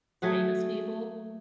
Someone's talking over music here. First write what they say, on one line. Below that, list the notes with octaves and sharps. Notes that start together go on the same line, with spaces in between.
famous people,
F#3 A3 G#4 F#5